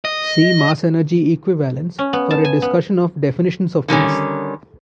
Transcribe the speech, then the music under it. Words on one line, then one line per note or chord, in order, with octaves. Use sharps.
See mass-energy equivalence for a discussion of definitions of mass.
D#5
C#4
B3
A5
G#5
B3
D3 D#3 G3 C#4